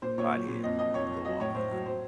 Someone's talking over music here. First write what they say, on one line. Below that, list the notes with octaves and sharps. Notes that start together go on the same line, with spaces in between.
hothead, he'd go off in a
A#2 C5
A#2 C#5
F#3
A#2
F2 D#5
F2 D#5
F2 C#5
F2
F#3 D#5
A2 C#5
A2 C5
F#3
F#3 C5